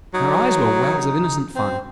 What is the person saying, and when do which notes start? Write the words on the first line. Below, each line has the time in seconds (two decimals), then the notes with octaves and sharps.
Her eyes were wells of innocent fun.
0.14 F#3 D#4
1.56 C4